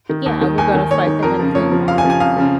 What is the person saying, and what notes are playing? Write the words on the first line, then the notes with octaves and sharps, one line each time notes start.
Yeah, and we're gonna fight to have clean water,
D#3
D#2
D#3
D#2 G#5
D#3
D#2 C#5
D#3
F2 A#4
C#3 F3
F2 C#5
C#3 F3
F2 F5
G#5
C#3 F3
G#5
F2 F5
C#3 F3